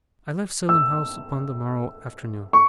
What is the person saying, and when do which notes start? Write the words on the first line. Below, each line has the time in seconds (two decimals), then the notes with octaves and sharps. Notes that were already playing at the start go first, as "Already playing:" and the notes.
I left Salem House upon the morrow afternoon.
0.69 E6
2.53 C#6